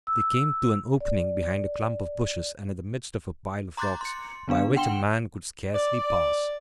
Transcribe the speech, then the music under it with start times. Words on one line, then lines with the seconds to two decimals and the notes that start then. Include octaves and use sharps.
They came to an opening behind a clump of bushes and in the midst of a pile of rocks, by which a man could scarcely pass.
0.07 E6
1.01 D5
3.77 A#5 C6 D6 F#6 G6 A6
4.01 C6 C#7
4.48 D3 B3 D4 F5
4.76 F#5 G5 C6 E7 G7
5.74 D5